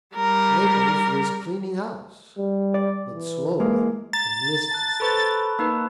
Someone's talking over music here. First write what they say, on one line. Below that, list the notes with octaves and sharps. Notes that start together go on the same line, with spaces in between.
Naples was cleaning house, but slowly and listlessly.
G3 A#4
G3
D5
E3
G#3 A#3
A#5 A6
A5 F#6
A4 B4 C5 A5 B5 C#6
A#3 D#4 B4 E6